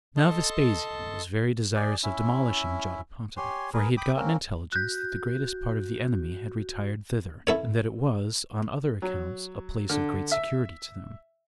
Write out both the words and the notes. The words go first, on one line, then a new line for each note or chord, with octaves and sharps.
Now Vespasian was very desirous of demolishing Jotapata, for he had gotten intelligence that the greatest part of the enemy had retired thither, and that it was, on other accounts, a place of great security to them.
A4 D#5 A5 C6
G#4 D5
C#4 E4 E5
G4 C#5 G#5 C6
G#4 A#4 B4
G5 B5 D6 D#6
A#3 C4 C#4 A#4
F#4 F#6 G6
E4 A4 C#5
F#3
D3
E5